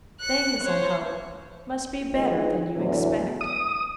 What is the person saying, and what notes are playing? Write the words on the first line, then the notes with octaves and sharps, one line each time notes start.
Things, I hope, must be better than you expect.
F#6 C#7
C5 C#5
D3 G#3 D#4 F4 B4 D#5
E2 A2 D3 E3 F#3
D#6